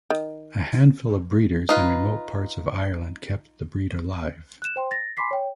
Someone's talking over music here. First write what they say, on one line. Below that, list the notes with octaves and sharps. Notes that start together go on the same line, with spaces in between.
A handful of breeders in remote parts of Ireland kept the breed alive.
D#3
D#4 F4 B4
F#6 E7
C5 G5 C6
A6 A#6
G#5 B5 C6 D6 B6 C7
C#5 G5